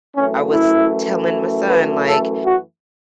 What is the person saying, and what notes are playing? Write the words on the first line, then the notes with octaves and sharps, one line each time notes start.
I was telling my son, like
F#2 E3 A3 C#4
E4
B4
A4
F#4